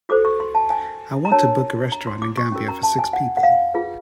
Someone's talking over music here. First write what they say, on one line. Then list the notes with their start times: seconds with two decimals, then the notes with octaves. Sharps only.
I want to book a restaurant in Gambia for six people.
0.09 F#4 A4 C5 D6
0.25 C#6
0.40 C6
0.55 A5
0.70 G#5
1.25 A#5
1.31 D4 F#4 A#4 C#5 A5
1.92 A#5
2.07 C6
2.22 D6
2.37 C#6
2.52 C#4 F#4 A#4
2.68 A#5
2.83 A5
2.99 G#5
3.13 F#5
3.37 F#5
3.43 F5
3.74 F4 G#4 B4